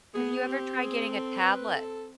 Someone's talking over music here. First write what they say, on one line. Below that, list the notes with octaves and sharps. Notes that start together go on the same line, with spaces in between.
Have you ever tried getting a tablet?
B3 G#4
C4 G4
G#4
A4
B4
A4